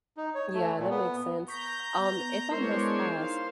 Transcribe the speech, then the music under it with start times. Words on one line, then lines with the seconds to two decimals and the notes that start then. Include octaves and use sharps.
Yeah, that makes sense. Um, if I must ask,
0.17 D#4
0.35 C#5
0.54 A3
0.78 A#2
0.90 B3
1.48 A#5 C#6 G6 B6
1.98 B3
2.51 G#3 B3 D4 E4 A#4 C5 C#5 C6
3.14 D#4 F5